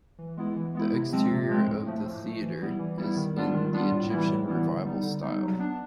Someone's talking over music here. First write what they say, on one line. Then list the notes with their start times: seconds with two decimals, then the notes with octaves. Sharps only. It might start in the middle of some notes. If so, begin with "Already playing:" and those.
The exterior of the theatre is in the Egyptian Revival style.
0.19 E3
0.37 G#3 B3 E4
0.56 E3
0.75 G#3 B3 E4
0.93 C3
1.12 F3 G#3 C4
1.31 C3
1.49 F3 G#3 C4
1.67 A2
1.86 F3 A3
2.05 A2
2.24 F3 A3
2.42 E3
2.61 G3 B3 E4
2.79 E3
2.98 G3 B3 E4
3.16 D#3
3.36 G3 B3 D4 F4
3.54 D#3
3.73 G3 B3 D4 F4
3.92 A2
4.10 E3 G3 B3 E4
4.28 A2
4.47 E3 G3 B3 E4
4.65 D3
4.85 G3 B3 D#4
5.03 D3
5.22 G3 B3 D#4
5.41 F#3
5.59 B3 D4